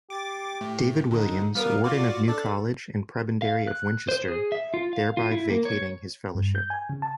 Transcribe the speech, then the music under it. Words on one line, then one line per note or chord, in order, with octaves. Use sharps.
David Williams, warden of New College and prebendary of Winchester, thereby vacating his fellowship.
G4 D6 A6
A2
D3 D#4
G3 B3 A#4 F5
F4 F#4 D5
D4 A4 D5
F5
F#6
C5
G#4
E5
F4
F5
F4
E4
A#3
C#5
G2
G6
G#5
C#3
A5